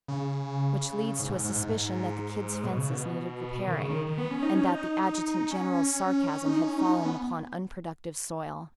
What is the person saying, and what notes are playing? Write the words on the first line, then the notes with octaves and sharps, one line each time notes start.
Which leads to a suspicion that the Kid's fences needed repairing, and that the adjutant-general's sarcasm had fallen upon unproductive soil.
C#3
G#2
B2
G#2
G#2
G#2
G#2
B2
C#3
B2
B2
D#3
C#3
D#3
D#3
B3
C#4
D#4
C#4
D#4
D#4
C#4
D#4
C#4
D#4
C#4
B3